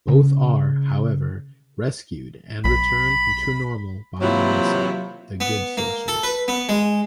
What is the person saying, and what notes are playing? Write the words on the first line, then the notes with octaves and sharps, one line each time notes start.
Both are, however, rescued and returned to normal by Melissa, the good sorceress.
C#3
B1 B5
C3 E3 F#3 A#3 E4 F4
B3
A#3
A4
B4
B3
G#3